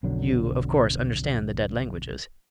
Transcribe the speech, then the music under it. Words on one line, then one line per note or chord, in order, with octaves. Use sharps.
"You, of course, understand the dead languages?"
B1 F2 D3 F#3